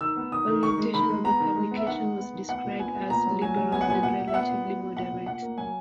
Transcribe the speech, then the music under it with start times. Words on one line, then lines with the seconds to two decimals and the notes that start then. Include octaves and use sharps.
Orientation of the publication was described as "liberal" and "relatively moderate".
0.01 D#3 E6
0.16 B3
0.32 D#3 D#6
0.48 D#3
0.63 D#3 C#6
0.78 G#3
0.94 D#3 B5
1.09 G#3
1.24 B3 A#5
1.40 D#3
1.56 G#3
1.71 B3 E5
1.87 D#3 F#5
2.02 G#3
2.18 B3
2.33 D#3
2.49 B3 F#5
2.64 A#2
2.79 B3 G#5
2.95 B3
3.10 A#2 A#5
3.26 F#3
3.41 F#3 G#5
3.57 F#3
3.72 B3 G#5
3.81 F#5
3.87 A#2 G#5
4.03 A#2 F#5
4.19 A#2
4.28 E5
4.34 B3 F#5
4.50 A#2
4.65 B3
4.81 B3
4.96 A#2 F#5
5.11 A#2
5.26 A#2 F#5
5.42 A#3
5.58 F#3 G#5